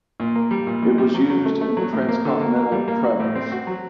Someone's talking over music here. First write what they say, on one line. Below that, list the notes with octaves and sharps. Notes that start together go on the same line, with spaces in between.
It was used in the Transcontinental Traverse.
A#2
A#3
G3
A#2
A#2
G3
F#3
F#3
A3
A3
F#3
A2
A#3
D3
A#3
A#3
G3
A#3
F#4
A2
C4
F#4
F#3